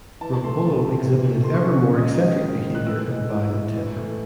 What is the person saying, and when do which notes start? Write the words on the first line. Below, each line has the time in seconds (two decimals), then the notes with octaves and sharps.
Roppolo exhibited ever more eccentric behavior and violent temper.
0.21 E3 A5
0.33 A5
0.44 A3 C6
0.65 C3 A5
0.87 C3
1.09 E3
1.31 A3
1.43 C6
1.54 C#3 C#6
1.76 C#3
1.97 G#3 D#6
2.20 D#3
2.42 D#3
2.64 G#3
2.75 F#6
2.86 E3 E6
3.08 G#3
3.30 A2
3.53 A2
3.74 E3
3.96 A3